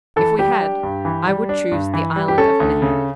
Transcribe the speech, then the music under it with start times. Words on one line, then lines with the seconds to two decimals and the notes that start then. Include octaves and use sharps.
'If we had I would choose the Island of Man.'
0.16 E3 A4
0.39 G3 G4
0.61 D4
0.83 G2
1.05 E3
1.27 G3
1.49 D4
1.72 G2
1.94 E3
2.16 G3
2.28 G4
2.38 C#4 A4
2.60 D2
2.82 C#3